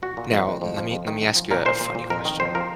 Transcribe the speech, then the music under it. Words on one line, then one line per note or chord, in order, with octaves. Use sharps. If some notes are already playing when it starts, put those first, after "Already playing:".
Now let me let me ask you, uh, a funny question
A#2 F#4
A#2
F2
F2
F2
F3
F2
D#3
F#2
F3
A#2 A#4
A#2 C5
A#2
A#2
F2 A#4
D#3
F2 C5
F3 A#4